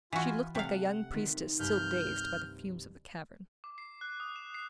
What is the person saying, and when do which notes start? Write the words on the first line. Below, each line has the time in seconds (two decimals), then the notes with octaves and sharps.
She looked like a young priestess still dazed by the fumes of the cavern.
0.13 E3 F4 F#4 E5 G#5 B5
0.55 C3 A3 F5 F#5
1.12 D#3 C4 B6
1.59 C2 G2 B4 F6 G6
3.64 D6
3.78 C7
4.01 F#6
4.20 D#6
4.36 E7
4.54 C7